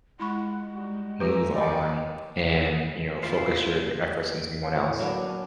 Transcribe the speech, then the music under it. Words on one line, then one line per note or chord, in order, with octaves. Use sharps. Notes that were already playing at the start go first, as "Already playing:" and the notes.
move on and, you know, focus your your efforts on someone else?
G#3 E4 F4 F#5 B5 C#6
G3 D#4 F#4
F3 G4 G#4 B4 E5 A#5
A#4 D5 D#5 G5
E4 F4 C5
A2
F#3 A#3 B3 D4
C#4